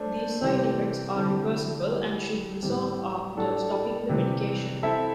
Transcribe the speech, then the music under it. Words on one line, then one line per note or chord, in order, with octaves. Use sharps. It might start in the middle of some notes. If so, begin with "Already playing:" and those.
These side effects are reversible and should resolve after stopping the medication.
Already playing: A3 D4 C5
C3 E3 G3 C4
D3 G3 C4 E4
G3 E4 G4
A2 E3 G3 C4
A2 G3 D4 A4
C3 E3 G3
C4 E4 A4 E5